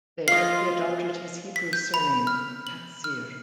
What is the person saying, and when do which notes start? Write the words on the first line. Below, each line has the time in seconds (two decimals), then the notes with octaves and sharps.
There, he adopted his Hebrew surname "Katzir".
0.28 F4 D#5 F5 C7
1.56 B6
1.73 G6
1.94 B5
2.27 F6
2.67 F#7
3.04 F6